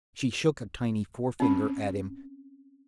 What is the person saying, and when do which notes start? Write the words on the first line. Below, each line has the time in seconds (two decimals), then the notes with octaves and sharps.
She shook a tiny forefinger at him.
1.40 C4 C#4